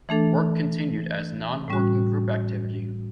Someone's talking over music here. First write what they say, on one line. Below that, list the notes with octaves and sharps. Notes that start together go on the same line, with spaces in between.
Work continued as non-working-group activity.
E3 A3 D4 A4
A2 G3 C#4 F#4